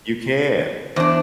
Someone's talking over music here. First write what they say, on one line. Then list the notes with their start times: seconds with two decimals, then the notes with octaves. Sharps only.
You can.
0.96 E2 D4 C5